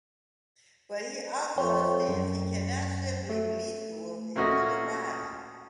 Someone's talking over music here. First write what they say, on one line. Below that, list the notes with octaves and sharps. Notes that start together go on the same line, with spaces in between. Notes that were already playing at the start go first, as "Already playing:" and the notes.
But he also understands he cannot simply release the wolf into the wild.
F2 C#5 G5 C6
F#2
A3
A#2 A3 C#4 F#4 D#5 F#5